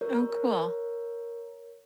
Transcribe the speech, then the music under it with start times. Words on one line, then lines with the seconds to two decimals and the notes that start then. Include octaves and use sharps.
Oh, cool.
0.01 A#4 C#5